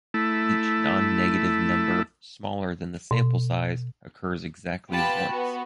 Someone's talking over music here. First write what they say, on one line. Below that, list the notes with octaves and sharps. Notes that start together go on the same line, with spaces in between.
Each nonnegative number smaller than the sample size occurs exactly once.
A3 E4
B2
B3 F4 G4 A5 B5
B3 F#4